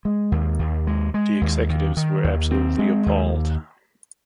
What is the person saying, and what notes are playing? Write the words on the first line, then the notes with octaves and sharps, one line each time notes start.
The executives were absolutely appalled.
G#3
D#2
D#2
G#3
G#3
D#2
D#3
D#3
D#2
C4
G#3
D#2